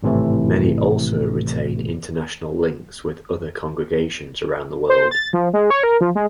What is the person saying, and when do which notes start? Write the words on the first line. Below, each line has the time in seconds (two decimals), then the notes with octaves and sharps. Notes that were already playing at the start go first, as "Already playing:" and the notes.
Many also retain international links with other congregations around the world.
0.03 G#1 A2 C3 E3 A3
4.89 C5
5.11 A6
5.33 F3
5.53 G#3
5.70 C#5
5.83 A#4
6.01 F3
6.15 G#3